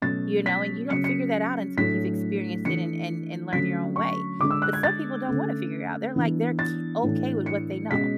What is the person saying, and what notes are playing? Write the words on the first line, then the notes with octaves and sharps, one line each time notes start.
you know? And you don't figure that out until you've experienced it and and and learn your own way. But some people don't wanna figure it out. They're, like, they're k okay with what they know,
B2 F#3 A3 C#4 A6
B6
C#3 F#3 C#4 C#7
C#7
A2 F#3 A3 D4 B6
E3 A3 D4 C#7
D3 F#3 A3 C#4 B6
C#6
D3 G#3 D4 D6
E6
F#6
G#6
A6
D3 A3 C#4
E3 B3 D4
A6
A2 E3 A3 D4
C#7
B2 G#3 C#4 B6